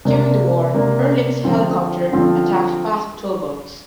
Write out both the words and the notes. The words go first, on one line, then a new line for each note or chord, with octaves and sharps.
During the war, her Lynx helicopter attacked fast patrol boats.
C3 A#3 D4
C3 A#3 D4
D3 F3 C4 F4
D3 F3 C4 F4